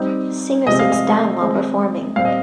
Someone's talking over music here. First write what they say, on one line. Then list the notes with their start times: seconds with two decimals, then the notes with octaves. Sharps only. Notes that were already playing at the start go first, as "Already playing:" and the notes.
Singer sits down while performing.
Already playing: G3 C4 D#4
0.67 C3 F3 G#3 C4 D#5
0.79 F5
0.92 D#5
1.41 D#3 G#3 C4 D#4
2.16 A#2 G3 C4 F5
2.25 D#5